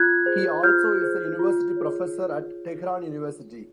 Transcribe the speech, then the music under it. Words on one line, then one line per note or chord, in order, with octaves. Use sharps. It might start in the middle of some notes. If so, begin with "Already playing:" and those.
He also is a university professor at Tehran University.
Already playing: F4 F#6 G#6
G#4 C5
F4 F6 G6
G#4 C5
F4
G#4 C#5